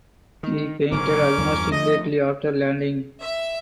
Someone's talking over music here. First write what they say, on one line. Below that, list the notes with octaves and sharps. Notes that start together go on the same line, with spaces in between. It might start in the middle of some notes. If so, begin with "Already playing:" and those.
He fainted almost immediately after landing.
D#3
F#1 G#2 B2 C#4 A#4 D6
E2 G2 F3
F3 A3 D#5
E5